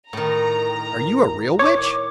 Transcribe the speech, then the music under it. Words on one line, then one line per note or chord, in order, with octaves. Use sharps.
"Are you a real witch?"
A2 D#3 A#5
C#5 D6